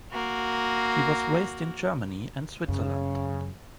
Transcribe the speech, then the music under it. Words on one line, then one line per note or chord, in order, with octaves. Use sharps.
She was raised in Germany and Switzerland.
A#3 F#4
F#2 C#3